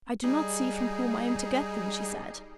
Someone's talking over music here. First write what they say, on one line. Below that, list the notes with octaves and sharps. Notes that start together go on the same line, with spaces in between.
"I do not see from whom I am to get them," she said.
G3 D#4 G#4